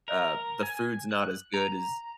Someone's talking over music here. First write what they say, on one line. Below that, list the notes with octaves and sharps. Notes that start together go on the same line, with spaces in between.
uh, the food's not as good as"
A#4
G#5
F#6
A#5